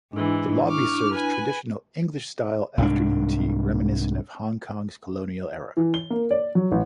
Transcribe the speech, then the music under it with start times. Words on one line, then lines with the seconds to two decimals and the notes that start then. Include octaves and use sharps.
The Lobby serves traditional English-style Afternoon Tea, reminiscent of Hong Kong's colonial era.
0.13 G#2 E3 D4 E4
0.66 C#6 D6 F6
1.12 B4 G#5
2.78 C2 G#2 F#3 D4
5.77 E3
5.94 G7
6.10 A#3
6.31 D5
6.55 F#3
6.72 A1